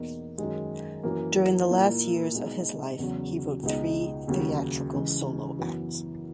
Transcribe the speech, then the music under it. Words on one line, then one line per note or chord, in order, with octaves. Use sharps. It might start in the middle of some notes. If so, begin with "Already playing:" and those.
During the last years of his life he wrote three theatrical solo acts.
Already playing: E2 B2 A#3 D#4
F#2 D#3 G#3
F#2 E3 A#3
A#2 A#3 E4
B2 G#3 D#4
E2 C#3 F#3
C#2 B2 G#3 D#4
D#2 C#3 F#3
C#3 E3 G#3
F#2 E3 B3